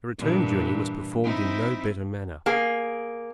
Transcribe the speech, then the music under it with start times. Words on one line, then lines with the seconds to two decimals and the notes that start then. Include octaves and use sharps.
The return journey was performed in no better manner.
0.18 G2 A#2 E3
1.23 C4 D#4 E4
2.46 A#3 G#4